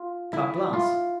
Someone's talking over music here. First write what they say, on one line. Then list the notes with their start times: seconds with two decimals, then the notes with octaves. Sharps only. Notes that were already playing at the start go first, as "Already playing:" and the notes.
Cut glass.
Already playing: F4
0.33 E4
0.73 F4